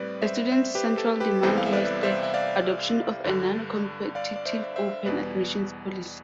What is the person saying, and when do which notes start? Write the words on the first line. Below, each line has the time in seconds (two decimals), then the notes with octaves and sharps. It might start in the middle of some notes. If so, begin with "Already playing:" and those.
The students' central demand was the adoption of a non-competitive open admissions policy.
Already playing: A2 G3 C4 B4 D5
0.22 C5 E5
0.52 C5 E5
0.75 G4 B4
0.97 A4
1.20 G4 B4
1.43 C2 C3 E3 G3 B3 A4 C5
1.57 F5
1.66 E5
1.73 B4 D5
2.03 C5 E5
2.23 E5
2.34 D5 F5
3.24 G2 D3 G3 D4
4.15 D5 F5
4.36 D5
4.46 C5 E5
4.76 C5 E5
5.06 E2 B2 G3 B4 D5